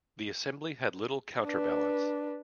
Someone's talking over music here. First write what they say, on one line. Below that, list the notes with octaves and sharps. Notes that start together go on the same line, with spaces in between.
The Assembly had little counterbalance.
D4 B4